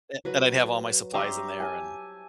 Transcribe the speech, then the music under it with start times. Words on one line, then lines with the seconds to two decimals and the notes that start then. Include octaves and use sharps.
and and I'd have all my supplies in there, and
0.25 F#3 B4
1.14 G4 C#5 E5 A#5 C6
1.60 G#5 A5